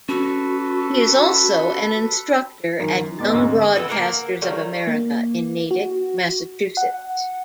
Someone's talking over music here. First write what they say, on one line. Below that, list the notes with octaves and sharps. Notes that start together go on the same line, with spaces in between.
He is also an instructor at Young Broadcasters of America in Natick, Massachusetts.
C#4 F#4 A4 B4
F#2 D#3 D#4 A#4
E1 G#3 B3 D6 A6
D2 G#2 C4 E6
E3 B3 E4 A4
A#3 A#4 F#5
F#3 G3 A3 A#3
A#3
F#4
F#5